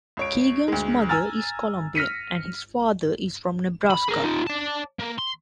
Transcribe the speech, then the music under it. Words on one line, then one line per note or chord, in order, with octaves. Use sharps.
Keegan's mother is Colombian and his father is from Nebraska.
C#2 C#5 D7
D2 G#3
G#5 A#5 E6 F6 A6
F6 A#6 B6 C#7 D#7
B5
G#4 A#4
D#4 F4
D5 A5
A#3
C6